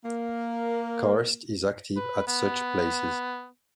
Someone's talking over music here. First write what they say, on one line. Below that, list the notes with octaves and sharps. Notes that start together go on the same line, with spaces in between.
Karst is active at such places.
A#3
B4
B3